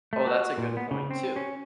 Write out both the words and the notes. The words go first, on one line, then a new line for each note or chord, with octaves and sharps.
Oh, that's a good point, too.
A3
F#4
A#2
B3
C#3
C4
C#4